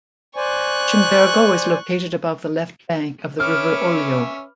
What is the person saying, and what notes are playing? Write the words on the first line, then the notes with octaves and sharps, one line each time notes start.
Cimbergo is located above the left bank of the river Oglio.
C5 D5 G#5 C#6 F#6
C#4 B4 C#5 E5 D6 F6